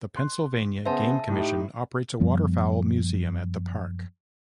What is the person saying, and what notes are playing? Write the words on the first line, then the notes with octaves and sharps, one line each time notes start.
The Pennsylvania Game Commission operates a waterfowl museum at the park.
C6 F#6
C#3 B3 C5 E5 A5
A2 D#4 G4
F#2 F3 G3 B3